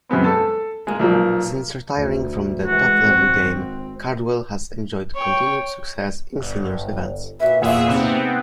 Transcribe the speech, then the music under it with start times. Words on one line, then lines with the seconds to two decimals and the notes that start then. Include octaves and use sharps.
Since retiring from the top-level game, Cardwell has enjoyed continued success in seniors events.
0.09 F#2 G#3 B3 C4
0.24 A4 A5
0.87 G#3 A#3
0.99 B1 A#2 F3 A#3
1.93 D2
2.66 E3 G#3 F#4
3.00 G#1 C4
5.15 C#5 G5
6.39 G1
7.40 A#2 F#4 B4 E5
7.62 E2 A#2 A#3 F4 G#4 E5 F#5
7.87 G#2 C3 B3 C4